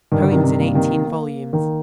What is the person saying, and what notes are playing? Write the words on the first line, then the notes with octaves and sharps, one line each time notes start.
Poems in eighteen volumes.
G2 D#3
D3
C3 D#3
C3 D#3
A#3
C3 D#3
A#3
D#3